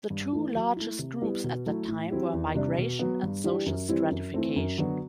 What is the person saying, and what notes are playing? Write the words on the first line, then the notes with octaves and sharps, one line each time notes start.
The two largest groups at that time were Migration and Social Stratification.
G2
E3 A3 E4
F#3
A3 E4
C3
G3 B3 E4
B2
F#3 A3 E4
A2
F#3 C4 E4 G4
E2
C3 G3 D4
B2
F#3 B3
G2
E3 G3 D4 G4
F#2
E3 G3 C4 E4
F#2
E3 A3 C4
F#2
D3 F#3 B3 F#4